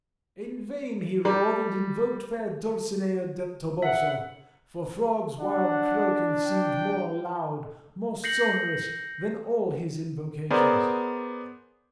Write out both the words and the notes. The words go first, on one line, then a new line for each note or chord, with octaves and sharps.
In vain he roared, and invoked fair Dulcinea del Toboso: for frogs' wild croaking seemed more loud, more sonorous than all his invocations.
G3
E5 F#5
D4 F#5
G5
G6 A#6 C7 C#7 F#7
B3 G#4 A#4 C5 D5